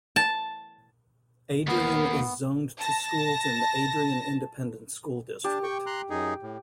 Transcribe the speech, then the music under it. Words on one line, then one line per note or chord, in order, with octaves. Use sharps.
Adrian is zoned to schools in the Adrian Independent School District.
A5
D#2 A#3 B3
A5 A#6
D4 G4 A5
G5 C#6
A#5 C6 F#6
F#2 D#4 G#4
A2